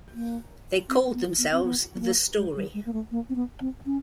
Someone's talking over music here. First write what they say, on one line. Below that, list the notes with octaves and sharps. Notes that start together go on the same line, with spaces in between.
They called themselves "The Story".
A#3
C4
B3
B3
C4
B3
B3
A#3
G#3
G3
G#3
A#3
A3
A#3
C4
B3
C4
C#4